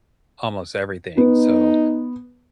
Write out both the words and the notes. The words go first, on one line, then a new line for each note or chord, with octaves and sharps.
almost everything, so,
B3 D#4